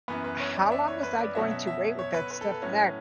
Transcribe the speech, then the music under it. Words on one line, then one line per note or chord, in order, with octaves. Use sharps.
how long was I going to wait with that stiff neck
F#2 E3 B3 B4
B4
C#5
D5
D5
E5
C#5
B4
D5
B2 F#3 C#4 E5
E5
E5
C#5
B4
B4
A4
B4
A2 F#3 C#4